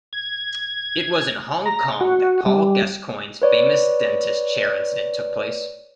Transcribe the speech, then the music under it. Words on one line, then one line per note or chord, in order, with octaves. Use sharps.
It was in Hong Kong that Paul Gascoigne's famous dentist chair incident took place.
G#6
A#5
F#4
G3
B4 C#5 D5